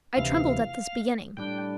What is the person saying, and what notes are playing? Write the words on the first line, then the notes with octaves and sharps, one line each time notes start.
I trembled at this beginning.
D2 C3 E3 F5
A2 G3 D4 G5